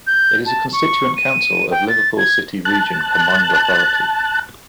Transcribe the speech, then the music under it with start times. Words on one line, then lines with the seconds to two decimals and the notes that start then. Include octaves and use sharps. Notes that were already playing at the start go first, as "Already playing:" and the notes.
It is a constituent council of Liverpool City Region Combined Authority.
0.07 G6
0.46 A5
0.72 C#6
1.17 D#7
1.71 G5
1.88 A6
2.18 G#6
2.65 A5 F#6